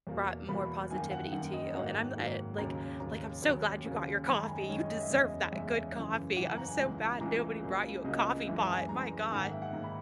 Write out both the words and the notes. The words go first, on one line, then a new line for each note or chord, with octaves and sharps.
brought more positivity to you, and I'm the I like like, I'm so glad you got your coffee. You deserve that good coffee. I'm so mad nobody brought you a coffee pot, my gosh.
E2 B2 A#3
E2 B2 A#3 B5
F#2 D#3 A#3 G#5
F#5
F#2 D#3 A#3 F#5
D#5
G#2 D#3 F#3 A#3 F#5
G#2 D#3 F#3 A#3
D#2 C#3 F#3 A#5
D#2 C#3 F#3 A#5
D#2 C#3 F#3 A#3
D#2 C#3 F#3 A#3
F#2 D#3 G#3 B5
A#5
G#5
D#5
F#2 D#3 G#3 C#5
D#5
D#5
E5
E2 C#3 G#3 D#5
E2 C#3 G#3 E5
F#2 C#3 E3
F#2 C#3 E3 F#5
F#5
A#5
G#5
C#2 C#3 E3 G#3
C#2 C#3 E3 G#3 A#5
C#2 C#3 F#3 A#3
C#2 C#3 F#3 A#3 D#5
F#2 E3 G#3 E5
G#5
F#2 E3 G#3 A#5
G#2 D#3 A#3 G#5
F#5
E5
F#5
G#2 D#3 A#3
B5